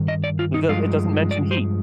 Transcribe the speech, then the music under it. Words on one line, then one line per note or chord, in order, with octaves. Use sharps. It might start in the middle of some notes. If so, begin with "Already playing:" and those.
It does it doesn't mention heat.
Already playing: G2 D#3
D#5
D5
F4
D#4
G2 F3 G#3 F4
D5
C5